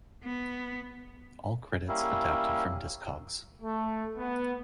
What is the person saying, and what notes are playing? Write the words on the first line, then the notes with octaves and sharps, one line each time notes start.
All credits adapted from discogs.
B3
G3 A#3 C#4 E4
A3
B3